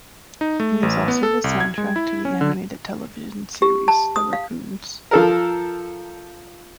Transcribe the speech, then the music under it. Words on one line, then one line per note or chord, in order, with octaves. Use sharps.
It is also the soundtrack to the animated television series, "The Raccoons".
D#4
A3
A1
B3
A4
C2
G#6
G#3
E4
C#4
D3
G4
A5
D#6
F5
F3 A4 A#4